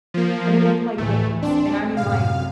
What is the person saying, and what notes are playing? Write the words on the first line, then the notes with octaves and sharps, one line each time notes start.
and then we'd play games, and I mean, like,
F3 A#3
D2 A2 E3 A3
C4 D4
F#2 A2 C3 F5